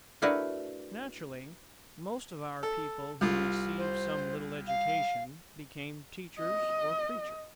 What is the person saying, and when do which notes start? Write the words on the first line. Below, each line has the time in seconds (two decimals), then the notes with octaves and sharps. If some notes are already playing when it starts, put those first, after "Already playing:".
Naturally, most of our people who received some little education became teachers or preachers.
0.22 A3 D4 E4 F#4 A#4 B4
2.63 A4
3.21 C2 F4
3.78 C5
4.67 F5
6.39 D#5